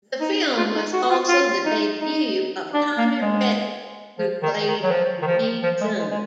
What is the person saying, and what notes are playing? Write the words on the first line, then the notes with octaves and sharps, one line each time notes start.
The film was also the debut of Tommy Rettig, who played the Reeds' son.
D#4
F4
D#4
F#4
F#4
F4
F4
D#4
D#4
D4
A#3
G#3
F3
D#3
D#3
F#3
F3
D#3
F3
F3
G#3
G#3
G#3